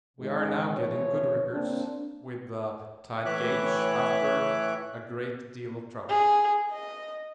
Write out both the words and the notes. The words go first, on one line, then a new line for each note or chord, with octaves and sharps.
We are now getting good records with the tide gauge after a great deal of trouble.
G#2 D#3 G#3
E2 F3 C#5
A#3 C4 D4
A2 E3 C#5 E5 D6 F#6
G#4
D#5